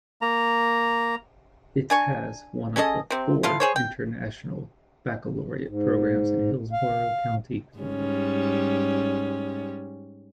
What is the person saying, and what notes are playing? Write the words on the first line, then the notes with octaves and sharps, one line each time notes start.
It has one of the four International Baccalaureate programs in Hillsborough County, Florida.
A#3 A#5
D4 G#5 C#6
C#4 G#4 A4 D#5
C3 C4
E4 F4 A4 F5
G#4 C5 C#5
G5
G#2
F5
G#2 G3 C#4